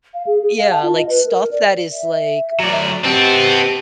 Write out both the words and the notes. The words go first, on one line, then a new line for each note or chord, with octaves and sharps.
yeah, like, stuff that is, like, um,
F5
G#4
G#4
F5
A5
F4
D#5
B4
A#4
D5
E5
F#3 D5
B3 C4 G4 A5